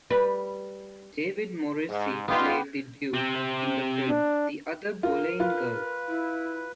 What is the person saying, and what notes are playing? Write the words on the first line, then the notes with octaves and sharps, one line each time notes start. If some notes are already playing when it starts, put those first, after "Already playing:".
David Morrissey played the Duke in the film "The Other Boleyn Girl".
G3 B4
G#2
G2 B3 D#4 F4 G4 B4
C3 C4
D4
F4 A#4
F4 B4
E4